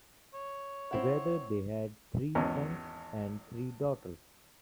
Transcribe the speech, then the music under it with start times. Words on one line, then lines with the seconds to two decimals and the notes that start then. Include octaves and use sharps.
Together they had three sons and three daughters.
0.34 C#5
0.91 C4 E4 F#5
2.35 G#1 E2 C#4